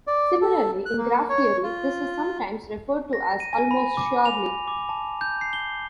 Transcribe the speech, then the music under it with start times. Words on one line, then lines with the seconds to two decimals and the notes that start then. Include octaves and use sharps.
Similarly, in graph theory, this is sometimes referred to as "almost surely".
0.07 D5
0.42 A4
0.86 F#6
0.98 A#3
1.29 C#5
1.63 F4
3.13 A#6
3.40 D#7
3.53 G#5
3.71 B5
3.97 D6
4.25 F7
4.68 D6
4.89 A5
5.21 G6
5.41 C7
5.53 G7